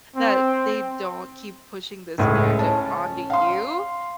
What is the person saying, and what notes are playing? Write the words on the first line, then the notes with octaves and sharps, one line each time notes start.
that they don't keep pushing this narrative onto you
C4
C#2 A2 G#3
C#4 A5
F5 C6